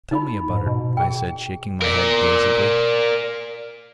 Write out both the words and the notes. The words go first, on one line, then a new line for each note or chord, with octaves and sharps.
"Tell me about it," I said, shaking my head dazedly.
D#4 F4 B5
G#2
B2
G#4 G5
A#4 D5